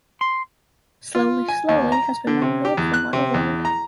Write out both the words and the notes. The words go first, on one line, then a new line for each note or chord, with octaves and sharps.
Slowly Slowly has been nominated for one award.
C6
F4
G#5
D#2
A#5
D3
C3
G4
E2
F#6
C3
E2
A#5